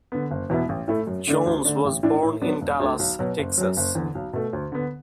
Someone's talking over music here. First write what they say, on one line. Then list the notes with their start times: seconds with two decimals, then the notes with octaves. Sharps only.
Jones was born in Dallas, Texas.
0.12 D3 B3
0.31 F#1
0.50 E2 B2 B3 E4
0.69 A1
0.88 A2 A3 E4
1.07 F#2
1.27 D3 A3 D4
1.46 D2
1.65 D3 A3 D4
1.85 A1
2.03 A2 E3 D4
2.23 A2
2.41 F#3 B3 D4
2.62 E1
2.80 D2 D3 A3
2.99 B1
3.19 B2 F#3
3.38 F#1
3.57 F#2 F#3
3.77 F#1
3.95 E2 D3
4.15 B1
4.33 B2 A3
4.53 D2
4.72 D3 B3